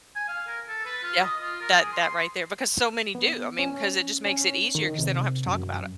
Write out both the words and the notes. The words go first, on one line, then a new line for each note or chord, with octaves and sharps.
Yeah. That that right there, because so many do. I mean, 'cause it just makes it easier 'cause they don't have to talk about it.
G#5
F5
A#4
A4
B4
F4
D#5
F4
A#4
G#4
C6
B3
C#4
C#4
D#3
C3
F#2